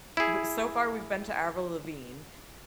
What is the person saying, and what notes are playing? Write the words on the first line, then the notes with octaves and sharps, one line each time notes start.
w so far we've been to Avril Lavigne,
E4 G#4